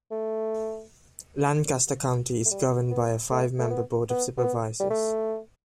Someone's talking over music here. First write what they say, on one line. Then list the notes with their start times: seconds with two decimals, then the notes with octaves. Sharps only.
Lancaster County is governed by a five-member board of supervisors.
0.11 A3
2.45 A3
2.51 G3
2.90 B3
3.31 A3
3.59 A3
3.70 B3
4.10 B3
4.37 B3
4.80 G3
4.90 A3